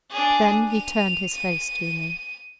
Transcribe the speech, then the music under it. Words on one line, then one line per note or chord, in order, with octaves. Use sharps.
Then he turned his face to me.
D4 G#4
D#7 F7
D#7